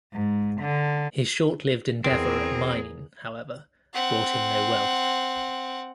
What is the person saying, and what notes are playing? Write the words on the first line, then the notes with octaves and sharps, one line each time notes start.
His short-lived endeavor at mining, however, brought him no wealth.
G#2
D3
E2 C4 G#4 A#4
C4 F#5